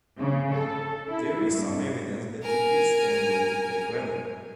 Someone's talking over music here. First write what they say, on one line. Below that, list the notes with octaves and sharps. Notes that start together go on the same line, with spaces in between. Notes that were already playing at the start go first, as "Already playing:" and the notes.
There is some evidence that it is stimulated by ghrelin.
C#3
A4
E4
G2
A#4 G#5